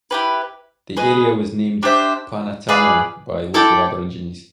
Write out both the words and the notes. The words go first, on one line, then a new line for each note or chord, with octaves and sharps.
The area was named Panatana by local Aborigines.
E4 G4 B4
G#4 B4 D#5
D4 G4 C5 E5
G#4 B4 D5 F5
E4 A4 D5 G5